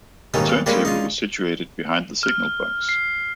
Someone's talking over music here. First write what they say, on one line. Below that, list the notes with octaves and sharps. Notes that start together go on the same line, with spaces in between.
A turntable was situated behind the signal box.
D#2 G#2 B2 G3 C#4 D#4
F5
G3 G#3 A#3 C#4 D4 B5
D#4 F4
F6
C7